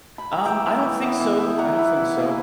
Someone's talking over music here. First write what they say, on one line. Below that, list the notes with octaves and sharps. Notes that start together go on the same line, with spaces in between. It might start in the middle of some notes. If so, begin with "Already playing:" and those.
um I don't think so, I don't think so.
B5
A#5
E3 E5 G5
B3 E4
E3
B3 E4
E3
B3 E4
E3 F#5 A#5
B3 E4
E3
A#3 E4